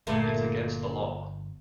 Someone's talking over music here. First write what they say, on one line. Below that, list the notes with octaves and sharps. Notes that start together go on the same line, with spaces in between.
It's against the law.
G1 A#2 A3